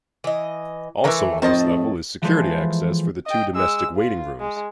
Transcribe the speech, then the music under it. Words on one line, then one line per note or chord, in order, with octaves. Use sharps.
Also on this level is security access for the two domestic waiting rooms.
E3 D#5
E3 A3 A#4 B4 E5
F2 A2 D#3 C5 D#5 A5
E3 F3 G#3 A4 B4 C5
D#5 G5
G#3 E6
F4
G#3